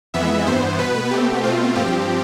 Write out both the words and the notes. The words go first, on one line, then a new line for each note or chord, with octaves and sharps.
I know it even better than you do.
F2 E3 B3 E5
G2 E3 B3 C5
B2 B3 B4
B2 A3 C4 G4
B2 A3 C4 F4
G2 F3 C4 G4